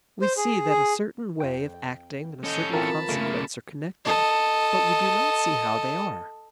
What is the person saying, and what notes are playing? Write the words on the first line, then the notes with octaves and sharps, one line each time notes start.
We see that a certain way of acting and a certain consequence are connected, but we do not see how they are.
C5
G#4
G#4
F2 G5
C#4 A4 D#5 G6
E3 C4 F4 A#4 A5 B5
E2 C#3 A3 A#3
A4 D#5